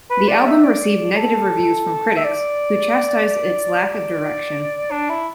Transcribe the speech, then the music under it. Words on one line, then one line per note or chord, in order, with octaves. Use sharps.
The album received negative reviews from critics, who chastised its lack of direction.
B4
D5
E5
D5
A4
E5
D5
D5
D4
E4